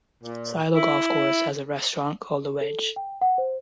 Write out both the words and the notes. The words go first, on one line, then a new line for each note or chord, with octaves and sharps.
Silo Golf Course has a restaurant call the Wedge.
A#2
E4
A4
G5
F#5
C5